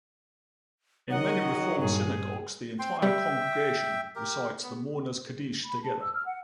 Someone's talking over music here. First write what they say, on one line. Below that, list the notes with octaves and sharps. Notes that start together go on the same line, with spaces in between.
In many Reform synagogues, the entire congregation recites the Mourner's Kaddish together.
D#3 F#3 D#5 F#5
G2 A#2 G#4
C4 G5 C6
G3 E5 G5
G4 A#4
B3
B5
A5
E6
F6
F#5